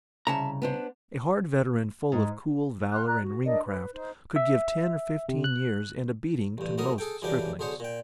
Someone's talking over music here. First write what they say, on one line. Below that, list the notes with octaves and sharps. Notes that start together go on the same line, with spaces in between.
A hard veteran full of cool valour and ring-craft, could give ten or fifteen years and a beating to most striplings.
C2 C#3 E5 A5 A#5
B3 D4 C5
G#2
F#5 C6 F6 F#6
D5 A#5 F#6
F#4
D4 A#4 D5 D#5
B4
D#4 C5
E5
C3
F#6
A1 G2
B1 A2 F#3 A#4 D#6
G#4 A4 G5
F#2 C#3 E3 D4 G4 G5
B1 D3 G#4 C5 C#5
A#2 G5